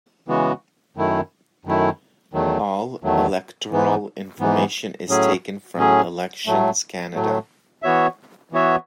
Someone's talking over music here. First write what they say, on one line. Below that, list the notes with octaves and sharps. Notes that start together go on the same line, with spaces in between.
All electoral information is taken from Elections Canada.
C#3 E3 G#3 B3 F#4
F#2 D#3 A3 E4
F#2 D#3 A3 E4
E2 D#3 F#3 A3
E2 D#3 F#3 A3
G#2 E3 B3
G#2 E3 B3
A2 F#3 C#4 G#4
A2 F#3 C#4 G#4
A2 F#3 A3
A2 F#3 A3
E3 B3 F#4 C#5 E5
E3 B3 F#4 C#5 E5